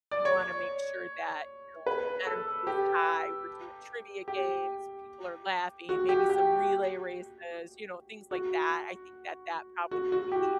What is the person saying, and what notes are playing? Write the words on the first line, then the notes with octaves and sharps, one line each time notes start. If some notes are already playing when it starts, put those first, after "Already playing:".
you wanna make sure that, you know, the energy is high, we're doing trivia games, people are laughing, maybe some relay races, you know, things like that. I think that that probably would be
D5
C#5
B4
A4
G4
G4
F#4
G4
G4
F#4
F#4
F#4
G4